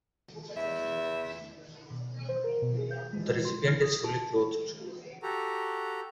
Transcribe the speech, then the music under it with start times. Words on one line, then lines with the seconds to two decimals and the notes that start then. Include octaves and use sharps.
The recipient is fully clothed.
0.57 E2 E5
1.91 B2
2.29 C5
2.44 A#4
2.62 B2
2.78 G#4
2.91 G6
3.13 G#3
3.45 C6
3.67 F6
3.81 D#6
4.04 A5
5.23 F#4 G4 A4 A#5